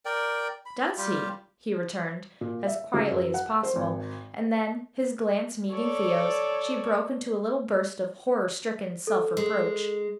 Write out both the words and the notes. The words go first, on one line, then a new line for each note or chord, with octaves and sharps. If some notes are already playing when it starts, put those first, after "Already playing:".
"Does he?" he returned, as quietly as possible, and then his glance meeting Theo's, she broke into a little burst of horror-stricken self-reproach.
A#4 D5 G5
B5
G3 F4 G4
A#2
E5
C#2
F#2
F#5
C5
G#1
A4 C#5 D5
A4
G#3